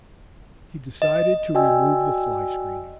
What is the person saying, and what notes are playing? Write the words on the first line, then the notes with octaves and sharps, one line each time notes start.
He decided to remove the fly-screening.
D#5
F#4 D5 D#5 G5 G#5 E6